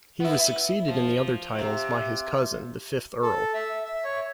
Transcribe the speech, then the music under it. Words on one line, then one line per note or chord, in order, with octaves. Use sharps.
He was succeeded in the other titles by his cousin, the fifth Earl.
B3 E4
F3
C3
A4
E5
E5
C#5